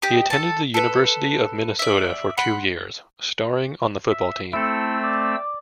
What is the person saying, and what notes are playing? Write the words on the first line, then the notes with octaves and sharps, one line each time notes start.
He attended the University of Minnesota for two years, starring on the football team.
G4 D#5 D6
A4 A5
A4 B4
D5 E5
F#5 B5 C6
E5
A3 C4 E4 A4 E6
D5